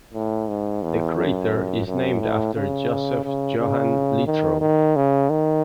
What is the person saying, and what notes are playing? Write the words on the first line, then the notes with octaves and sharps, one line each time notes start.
The crater is named after Joseph Johann Littrow.
A2
G#2
E2
F#2
F#2
A2
C#3
C#3
C#3
D#3
D#3
C#3
D#3